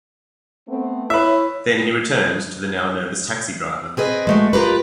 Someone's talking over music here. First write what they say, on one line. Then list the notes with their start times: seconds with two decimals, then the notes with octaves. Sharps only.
Then he returned to the now nervous taxi-driver.
0.69 A3 B3 C4
1.10 E4 B4 C#5 E5
3.97 C4 G#4 B4 D#5
4.27 G#3 A3 F#4
4.53 F4 G4 G#4 A#4 B4